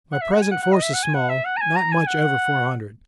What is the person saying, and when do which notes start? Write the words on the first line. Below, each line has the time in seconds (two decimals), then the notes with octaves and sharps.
My present force is small--not much over four hundred.
0.12 F#5
0.21 E5
0.31 F#5
0.42 G#5
0.51 F#5
0.62 F#5
0.72 D#5
0.82 E5
0.94 F#5
1.03 G#5
1.14 F#5
1.29 E5
1.45 F#5
1.57 A#5
1.61 G#5
1.76 A#5
1.92 G#5
2.07 F#5